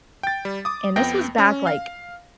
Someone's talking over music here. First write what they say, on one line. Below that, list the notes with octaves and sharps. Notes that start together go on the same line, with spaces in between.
and this was back, like,
G5 A6
G3
D6 D#6
F2 B3 G5 A#6
C#4
F5